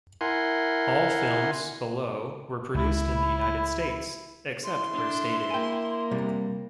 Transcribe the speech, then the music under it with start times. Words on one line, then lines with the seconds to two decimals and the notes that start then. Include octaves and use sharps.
All films below were produced in the United States, except where stated.
0.21 E4 A#4 F#5 G#5 C6
2.75 C#2 E4 B5
4.64 E4 C6
4.92 D4
5.50 A#3 G5 G#5
6.11 C3 G3